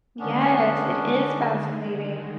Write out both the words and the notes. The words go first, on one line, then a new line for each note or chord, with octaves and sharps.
Yes, it is fascinating.
D3 D#3 G#3 B3 C#4 D4